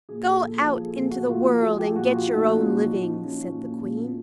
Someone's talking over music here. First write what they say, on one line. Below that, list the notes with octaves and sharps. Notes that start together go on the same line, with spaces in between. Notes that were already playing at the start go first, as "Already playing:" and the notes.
"Go out into the world and get your own living," said the Queen.
A#2 G#4
A#2 A4
A#2 A4
F3 A4
F3 G#4
A#2
A#2 F#4
A#2 F4
F3
F3 G#4
F3 G4
A#2 F#4
A#2 F4
A#2 D#4
F3
C#4
A#2
F3 D#4
A#2
D#4
A#2
C#4
F3
A#2
A#2
A#2
A#2